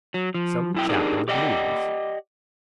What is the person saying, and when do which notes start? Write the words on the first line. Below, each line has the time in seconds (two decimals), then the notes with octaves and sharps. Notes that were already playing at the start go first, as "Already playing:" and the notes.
Some chap in the blues.
0.14 F#3
0.34 F3
0.74 F#2 E4 G5
0.89 D4 D#4 G4 G#4 A#4
1.28 G4 D5 D#5 F#5 G5